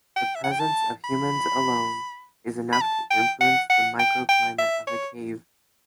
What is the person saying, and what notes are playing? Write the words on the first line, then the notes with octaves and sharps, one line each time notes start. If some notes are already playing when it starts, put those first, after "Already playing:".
The presence of humans alone is enough to influence the microclimate of a cave.
G5
E5
F#5
G5
A5
B5
B5
A5
G5
F#5
F#5
G5
G5
E5
C#5